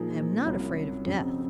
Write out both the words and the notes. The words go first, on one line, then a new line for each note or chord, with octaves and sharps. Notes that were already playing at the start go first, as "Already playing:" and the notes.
I am not afraid of death.
Already playing: A#2 F3 A#3 D#4 G#4
C2 C3 F#3 C#4 F4
F2 C#3 F#3 C4